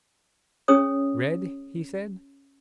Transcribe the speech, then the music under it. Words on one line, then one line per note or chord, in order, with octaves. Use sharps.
"Read?" he said.
C#4 G#4 C#5 D#6